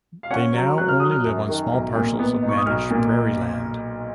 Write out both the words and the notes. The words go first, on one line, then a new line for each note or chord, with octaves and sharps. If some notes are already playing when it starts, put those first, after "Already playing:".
They now only live on small parcels of managed prairie land.
F5
C#4 F#5
F#3
F#3 F#6
F6
F#3 D#6
F6
F#2
D#3
B1
A#2
B3
D#4
C#6
D#6
B1 F6
A#2